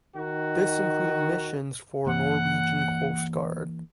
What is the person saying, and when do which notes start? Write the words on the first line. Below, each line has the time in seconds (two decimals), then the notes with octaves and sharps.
This included missions for Norwegian Coast Guard.
0.17 D#3 D#4 F#4
2.07 E3 A#3 F#5